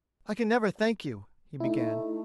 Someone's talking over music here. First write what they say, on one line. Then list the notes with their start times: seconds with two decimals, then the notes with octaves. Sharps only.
"I can never thank you," he began.
1.60 A3 D#4 E4